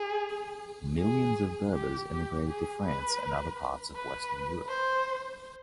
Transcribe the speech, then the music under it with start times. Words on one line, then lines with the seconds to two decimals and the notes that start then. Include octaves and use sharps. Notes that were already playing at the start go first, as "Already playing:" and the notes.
Millions of Berbers immigrated to France and other parts of Western Europe.
Already playing: G#4
0.99 G#4
1.74 G4
2.11 G4
2.48 G#4
2.84 B4
3.95 B4
4.68 C5